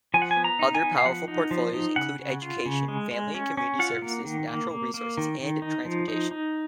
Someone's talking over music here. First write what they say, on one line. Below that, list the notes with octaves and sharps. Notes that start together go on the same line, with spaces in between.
Other powerful porfolios include Education, Family and Community Services, Natural Resources and Transportation.
F3 G#5
F#5
G#5
B3
A#5
D#4
G#5
B3
F5
F3 F#5
D#4
F3
D#4
C#3 F#5
C#3
F4
C#3
G#3
G#3
C#4
C#4
F4 F#5
A#3
D#3
A#3
A#3
A#3
D#3
D#3
D#4
F3
D#4
D#4